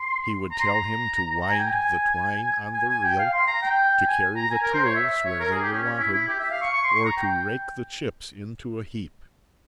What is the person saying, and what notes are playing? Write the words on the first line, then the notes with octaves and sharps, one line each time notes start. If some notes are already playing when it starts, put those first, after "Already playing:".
He would tell him to wind the twine on the reel, to carry the tools where they were wanted, or to rake the chips into a heap.
Already playing: C6
A#5
C6
A#5
A#5
G#5
G5
G#5
G#5
G#5
G5
F5
C6
A#5
G5
G#5
A#5
G#5
A#4
C5
C#5
E5
E5
C#5
A#4
G#4
G4
C#4
C#4
E4
E4
G4
E5
F5
C#6
C#6
C6
C#6
A#5
G5